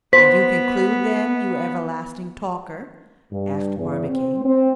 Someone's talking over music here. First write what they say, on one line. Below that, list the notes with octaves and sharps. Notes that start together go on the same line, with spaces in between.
"And you conclude, then, you everlasting talker?" asked Barbicane.
B3 C5 B6
G2
E2
C4
C4